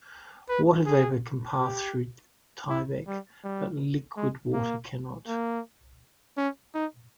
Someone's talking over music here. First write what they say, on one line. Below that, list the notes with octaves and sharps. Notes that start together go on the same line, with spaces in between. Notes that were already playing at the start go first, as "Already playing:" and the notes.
Water vapor can pass through Tyvek, but liquid water cannot.
B4
G#4
G4
E4
G3
G3
G#3
A#3
A#3
C#4
D#4